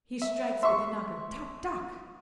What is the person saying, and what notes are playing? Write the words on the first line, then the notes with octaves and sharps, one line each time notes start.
He strikes with the knocker: 'Toc! toc!'
E5
E5 C6 C#6